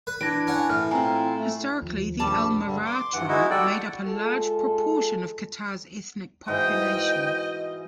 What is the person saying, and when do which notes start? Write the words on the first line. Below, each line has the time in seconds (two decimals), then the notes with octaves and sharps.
Historically, the Al Murrah tribe made up a large proportion of Qatar's ethnic population.
0.07 B4
0.21 E3 D4 G#6 A#6 D7
0.47 C#4 F#5
0.69 A2 F6
0.91 C4 E4 F4 G#5 A#5
1.38 A3
1.82 D#2 F3
2.20 A#1 G3 A5
2.66 G2 D3 G3
2.86 C6 D6
3.13 G2 E3 F#5
3.28 G#3 D#4 E4 F#4
3.50 G3 F#4 A4 D5 G5
3.70 F#5
4.05 G#3 F4 A4
6.48 G#2 E3 F#4 D#5 G5